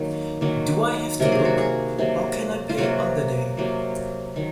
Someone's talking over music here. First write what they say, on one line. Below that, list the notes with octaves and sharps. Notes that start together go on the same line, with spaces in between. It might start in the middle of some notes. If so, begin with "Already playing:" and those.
Do I have to book, or can I pay on the day?
Already playing: D#3 F#3 A#3
D#3 F#3 A#3
C3 F#3 A#3 A#4
G#4
F#4
G#4
C3 F#3 A#3
F4
C3 F#3 A#3 F#4
C3 F#3 A#3
D#3 F#3